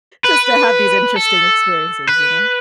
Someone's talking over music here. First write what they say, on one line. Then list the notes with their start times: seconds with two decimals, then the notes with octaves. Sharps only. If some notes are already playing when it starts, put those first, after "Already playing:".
just to have these interesting experiences, you know?
0.24 B4
1.16 A4
2.07 B4